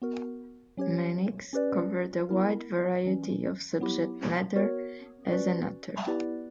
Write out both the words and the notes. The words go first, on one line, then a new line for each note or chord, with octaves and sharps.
Mannix covered a wide variety of subject matter as an author.
B3 F#4 A#4
F#3 C#4 G4 C#5
C#4 G4 B4 D5
B3 E4 A#4
E3 G3 C#4
F#3 B3 E4 G4
B3 F#4 A#4 C#5
C#4 F#4 B4 D5
B3 E4 G4 B4 D5